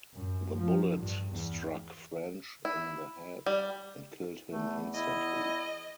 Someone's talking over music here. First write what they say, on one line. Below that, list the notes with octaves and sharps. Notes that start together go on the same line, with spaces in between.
The bullet struck French in the head and killed him instantly.
F#2
F3
G2
E2
E4
G3
E2 A3
E4 D#5